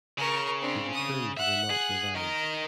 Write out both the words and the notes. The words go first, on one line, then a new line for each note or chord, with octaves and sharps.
The returns were not revised.
C#3 A#4 C#6
C4 D4
D#6
E5 F#5 F#6
G#4
D#3 A#4 D#5